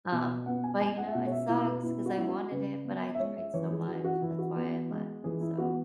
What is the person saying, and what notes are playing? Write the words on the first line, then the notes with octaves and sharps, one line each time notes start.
Um, but, you know, it sucks 'cause I wanted it, but I tried so much. That's why I left, so
B2
B3 F#5
G#5
G#3 G#5
F#5
E5
B2 F#5
C#5
E5
B2 E4
B4
B3 E4
F#4
G#3 E4
F#4
C#3 B4
B3
E5
G#3 C#5
E5
E3 C#5
G#4
E3 F#4
F#4
E3 E4
F#4
B3
G#3
E3 G#4
E4
B3 F#4